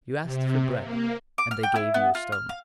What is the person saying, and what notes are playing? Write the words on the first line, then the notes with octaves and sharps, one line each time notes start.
You asked for bread, and they gave you a stone.
C3
A#3
D6
F6
G5
E4
B3
F4
F6
F5